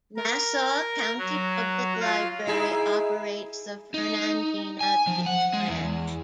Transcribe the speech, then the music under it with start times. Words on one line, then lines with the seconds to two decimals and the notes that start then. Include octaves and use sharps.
Nassau County Public Library operates the Fernandina Beach Branch.
0.17 A#4
1.18 F#3
2.00 F4
2.47 D#4 E4 G#4
3.94 D#4
4.81 G#5
5.07 F3
5.26 F#5
5.53 G#3
5.68 E2